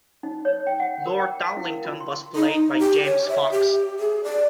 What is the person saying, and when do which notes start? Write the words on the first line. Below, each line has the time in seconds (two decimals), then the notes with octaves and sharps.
Lord Darlington was played by James Fox.
0.23 D#4
0.45 C#5
0.67 G5
0.80 F#5
1.06 A#4
1.19 G5
1.41 F5
1.57 E4
1.70 A#4
1.85 F4
2.00 C6
2.36 D#4
2.79 G4
3.05 C#5
3.29 E5
3.52 G4
4.00 G#4
4.24 D5